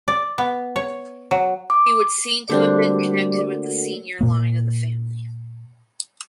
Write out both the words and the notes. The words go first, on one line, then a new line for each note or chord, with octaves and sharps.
He would seem to have been connected with the senior line of the family.
D5
B3
C#5
F#3
D6
D3 G3 A3 A#3 C4 D4 F#4 G4
A#2 A#3